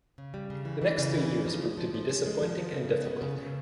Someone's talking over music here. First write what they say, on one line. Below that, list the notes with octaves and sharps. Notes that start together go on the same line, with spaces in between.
The next three years proved to be disappointing and difficult.
C#3
G3
C#3
E3
E3
C#3
E3
C#3
F3
G#3
F3
F3
C#4
G#3
F3
F3
C#3
G#3
B3
C#3
C#3